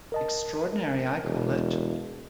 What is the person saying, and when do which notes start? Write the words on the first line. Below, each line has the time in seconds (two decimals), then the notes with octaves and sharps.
Extraordinary, I call it.
0.12 A#4 D#5 A5
1.24 E1